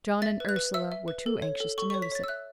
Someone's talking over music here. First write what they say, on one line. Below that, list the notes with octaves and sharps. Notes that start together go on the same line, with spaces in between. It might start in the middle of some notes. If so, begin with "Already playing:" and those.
John and Ursula were too anxious to notice it.
E5 A6
B4
F#6
B4
E5 E6
E5
B4
A4
C#5
A4
A4 C#6
C#5 C#6
B6
C#5 A6
E6
E5 F#6